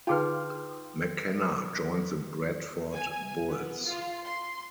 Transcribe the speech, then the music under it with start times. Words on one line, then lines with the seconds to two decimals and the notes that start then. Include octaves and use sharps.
McKenna joined the Bradford Bulls.
0.07 D3 D#4 F4 G#4 B4 G5 C6 F6
2.94 G#5
3.49 B3
3.85 F4
4.25 C6